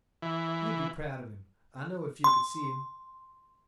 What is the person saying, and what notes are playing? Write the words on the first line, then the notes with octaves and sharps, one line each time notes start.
You'd be proud of him, I know, if you could see him.
E3
C6